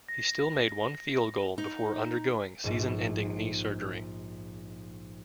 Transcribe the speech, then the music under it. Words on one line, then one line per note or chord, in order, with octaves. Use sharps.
He still made one field goal before undergoing season-ending knee surgery.
A#6
D#4
A#1 G#2